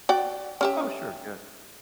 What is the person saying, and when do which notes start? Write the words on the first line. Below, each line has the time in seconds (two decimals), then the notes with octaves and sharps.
Oh, sure, yeah.
0.09 F#4 D5 G5
0.61 C#4 G4 E5